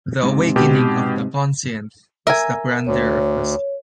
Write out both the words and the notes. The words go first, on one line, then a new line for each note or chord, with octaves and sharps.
The awakening of the conscience is the grandeur of the soul.
G#2 C3
B2 G4
A#4 E5 G#5
D2 C#5